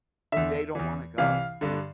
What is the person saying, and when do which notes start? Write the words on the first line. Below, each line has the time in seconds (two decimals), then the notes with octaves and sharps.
"They don't wanna go, and w
0.32 E2 D3 E5
0.75 E2 E3
1.18 C2 C3 E3 F5
1.61 G2 D3